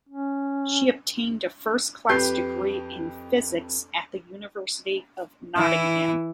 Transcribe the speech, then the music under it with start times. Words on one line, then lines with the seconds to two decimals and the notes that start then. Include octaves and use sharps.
She obtained a first class degree in Physics at the University of Nottingham.
0.09 C#4
2.09 F2 G4 B4 G6 C7
5.57 E3 E4